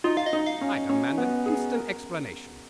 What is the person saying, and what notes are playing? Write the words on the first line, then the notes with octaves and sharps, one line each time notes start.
I demand an instant explanation.'
D#4 F4
F5
D#5
D#4
F5
C#4
C#4
B3
G#4
A#4